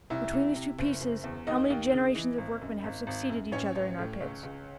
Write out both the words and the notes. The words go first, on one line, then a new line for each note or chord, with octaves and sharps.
Between these two pieces, how many generations of workmen have succeeded each other in our pits!
C2 E4 E5
C2
C3
F#1
F#1
E2
D#2 D#4 D#5
D#2
C#3
E3
G#1
F#2
G#1
G#1
F#2
A1 C#4 C#5
A1
A2
C#2
C#2